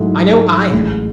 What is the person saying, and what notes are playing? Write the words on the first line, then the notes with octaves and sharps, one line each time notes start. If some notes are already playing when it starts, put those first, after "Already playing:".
I know I have.
Already playing: G#2 F#3 A3 E4
A1 A2 E3 G#3